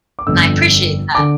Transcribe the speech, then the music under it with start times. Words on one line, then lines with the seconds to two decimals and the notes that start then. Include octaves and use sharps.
And I appreciate that.
0.19 D6
0.27 G1 F2 D3 E6
1.15 D3 D6